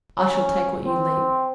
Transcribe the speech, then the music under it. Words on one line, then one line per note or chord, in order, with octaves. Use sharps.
I shall take what you leave.
C#4
C4